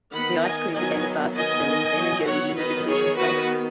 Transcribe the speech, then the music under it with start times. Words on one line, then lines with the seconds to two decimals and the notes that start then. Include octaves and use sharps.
The ice cream became the fastest-selling Ben and Jerry's limited-edition flavor.
0.13 D#3 B3 F#5 B5
0.43 D#5 G#5
0.74 D#3 F#3 B3 D#5 G#5
1.35 D#3 B3 D#5 G#5
1.97 F#3 B3
2.26 C#5 F#5
2.56 D#3 F#3 B3 B4 D#5
2.87 G#4 C#5
3.18 D#3 B3 F#4 B4